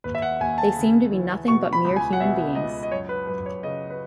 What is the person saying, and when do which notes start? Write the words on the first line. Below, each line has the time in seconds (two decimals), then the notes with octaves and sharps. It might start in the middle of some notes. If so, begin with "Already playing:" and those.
They seem to be nothing but mere human beings.
0.04 D#2 B4
0.15 E5
0.22 F#5
0.40 D#2 G#5
0.58 A5
0.76 C#3
1.12 E3
1.48 B2 C#6
1.73 B5
1.85 C#2
1.96 G#5
2.13 F#5
2.20 B2 E5
2.55 C#2 D#5
2.83 D#5
2.92 F#2 C#5
3.09 B4
3.27 F#2 B4
3.46 C#5
3.63 C#3 D#5
3.90 B4